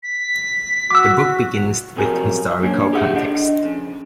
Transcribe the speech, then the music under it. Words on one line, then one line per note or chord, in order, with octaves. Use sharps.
The book begins with historical context.
B6
F#4 D6 E6
B1 F2 C3 F#3 G#4 A#4
G#2 A#3 C#4 D4
G4 G#4 E5 F#5
D3 D4 D#5
F2 C#3